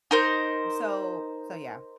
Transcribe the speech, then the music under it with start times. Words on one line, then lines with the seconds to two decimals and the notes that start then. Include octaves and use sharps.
so so, yeah.
0.11 D#4 A#4 C5